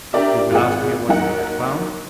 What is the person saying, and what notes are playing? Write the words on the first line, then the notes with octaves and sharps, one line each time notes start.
You will ask me what he had found?
D4 G4 A#4 D5 E5
G#1 F4 G#4 F#5
D#2 D#3 F#3 D#4 A#4 F#5